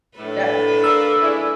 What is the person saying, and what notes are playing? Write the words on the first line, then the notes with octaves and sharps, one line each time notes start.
that eh
A2 D4 A4 B4
A#4 D5 F5 E6
G#3 C#4 E4